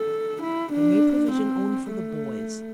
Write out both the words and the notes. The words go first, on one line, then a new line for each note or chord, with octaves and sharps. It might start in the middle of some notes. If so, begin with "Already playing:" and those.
They made provision only for the boys.
Already playing: A4
E4
D4
C4
A3